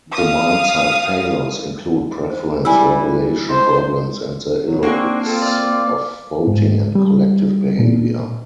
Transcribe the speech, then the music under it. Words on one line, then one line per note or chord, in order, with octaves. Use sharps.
Demand-side failures include preference-revelation problems and the illogics of voting and collective behaviour.
F5 D#6
C5
G3 E4 B4 G#5 E6
C5 D#5
E2 B2 F#3
A#3 C4 D4 F#4 G#4 C#6
C4 F4 A4
D5 F5
G#2
G3
A#2